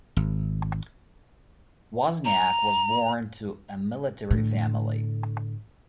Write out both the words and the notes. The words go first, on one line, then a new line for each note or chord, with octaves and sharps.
Wozniak was born to a military family.
G#1
A#5
A2 D3